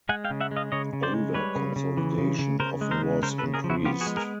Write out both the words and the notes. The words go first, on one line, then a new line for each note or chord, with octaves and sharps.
Older consolidation often was increased.
G#3 F#5 G#5
F5 G5
C#3
E5 F#5
G#3
D#5 F5
C#3 C#5 D#5
C#3
C5 D5
G#3
G3 B4 C#5
C#3
C#3
E3
C#3
C#3
C#3 A#4 C5
G#3
A#4 C5
C#3
C#3 A#4 C5
A4 B4
C#3
G#4 A#4
F3
E4 F#4
B3 F4 G4
F#4 G#4
G#3
G#4 A#4